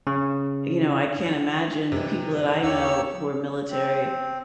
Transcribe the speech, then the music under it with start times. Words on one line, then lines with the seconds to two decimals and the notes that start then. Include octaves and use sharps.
you know, I can't imagine the people that I know who are military,
0.07 C#3
1.92 F#2 C3 E3 G3 D#4
2.63 D#2 A#3 G4 C#5 E6
3.71 C4